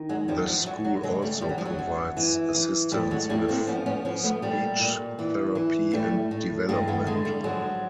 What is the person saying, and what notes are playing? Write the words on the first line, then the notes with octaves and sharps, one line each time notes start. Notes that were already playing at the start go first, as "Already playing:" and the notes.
The school also provides assistance with speech therapy and development.
Already playing: D#3
F#3 G#3
F#2 F3 G3
F3
F#2 F#3
F#3
C#3 F#3 G#3
G3 A3
F3 G3
F#3
F3
F#3
F#2
E3
E3
A2 F3 G3
F#3 G#3
A2 G3 A3
A#3 C4
F3 B3 C#4
B3 C#4
F3 B3 C#4
A3 B3
A#2 G3 A3
A#2
E3
E3
A2 G3 A3
A2
G2 G#3 A#3
A3 B3
D3 G#3 A#3
G3 A3
F3 F#3 G#3